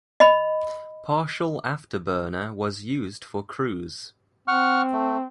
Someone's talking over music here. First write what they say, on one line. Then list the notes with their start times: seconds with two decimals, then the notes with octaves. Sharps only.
Partial afterburner was used for cruise.
0.20 D#5 B5
4.48 C4 F#5 C#6 F6
4.93 A3